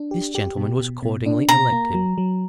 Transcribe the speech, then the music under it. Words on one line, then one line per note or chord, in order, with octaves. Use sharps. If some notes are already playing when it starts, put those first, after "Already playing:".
This gentleman was accordingly elected.
Already playing: D4
G4
G4
B2
B2
B2
D4
B2 A#5
A#3
F#3
F#3